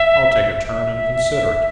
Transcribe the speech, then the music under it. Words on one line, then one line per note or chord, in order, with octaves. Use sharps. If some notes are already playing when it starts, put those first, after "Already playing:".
"I'll take a turn and consider it."
Already playing: E5
E5